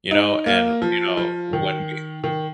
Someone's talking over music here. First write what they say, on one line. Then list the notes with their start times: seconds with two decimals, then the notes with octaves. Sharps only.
you know, and, you know, when we
0.11 D#4
0.46 A#3
0.82 F3
1.17 F3
1.53 D#3
2.24 D#3